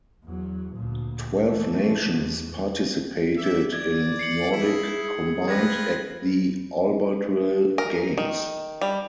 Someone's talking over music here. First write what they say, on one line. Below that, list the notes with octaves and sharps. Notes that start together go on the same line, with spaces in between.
Twelve nations participated in Nordic combined at the Albertville Games.
E2 F#3
D2 A#2
E3 A3
E2
D5 E5
D5 G#6
C7 C#7 F#7
E4 G#4
C4 F4 B4 G#6 A#6
A#4
D#3
G3